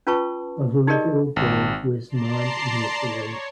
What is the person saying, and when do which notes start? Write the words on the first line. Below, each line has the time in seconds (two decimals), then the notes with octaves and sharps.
Alluvial gold was mined initially.
0.07 C#4 F4 B4 A5 C#6
0.87 D#4 G4 G#4 A#4 D5 D#5
1.36 G#1
2.09 D5 A5 A#5 C6 C7
3.00 C#5